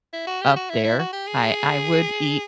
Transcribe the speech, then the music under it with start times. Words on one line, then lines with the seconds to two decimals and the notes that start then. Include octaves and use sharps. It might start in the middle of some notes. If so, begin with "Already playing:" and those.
up there. I I would eat
0.13 E4
0.27 F#4
0.41 G4
0.56 F#4
0.69 E4
0.84 E4
0.99 F#4
1.13 G4
1.27 G#4